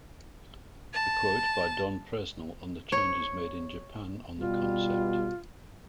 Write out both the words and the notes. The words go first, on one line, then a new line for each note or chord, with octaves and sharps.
A quote by Don Presnell on the changes made in Japan on the concept.
A5
C#5
B2 G3 F4